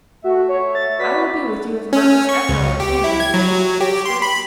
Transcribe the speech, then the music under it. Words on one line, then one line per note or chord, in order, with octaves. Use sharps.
"I will be with you as much as ever I can, my dearest," he whispered.
A3 F#4 E5
C#5
A6
F#4 B4 D5 B6
C#4
C#6
C#2
G4
E4
G#6
F#3
G4
C6
B5